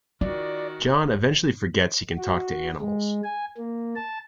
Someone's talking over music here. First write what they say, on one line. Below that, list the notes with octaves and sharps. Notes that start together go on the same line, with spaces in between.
John eventually forgets he can talk to animals.
D#3 F4 F#4 D5
F#4
G#3
G#5
A#3
A5